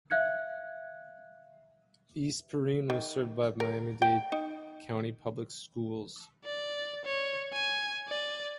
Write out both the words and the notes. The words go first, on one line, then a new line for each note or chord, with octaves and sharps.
East Perrine was served by Miami-Dade County Public Schools.
E5 F5 F#6 G#6 C#7
D#3
A#4
G5
D#4
D5
C#5
G#5
D5